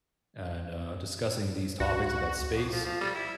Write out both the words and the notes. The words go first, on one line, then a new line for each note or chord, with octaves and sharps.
and, uh, discussing these topics about space.
C#2 F#4
F2
F3
F3
G3
E4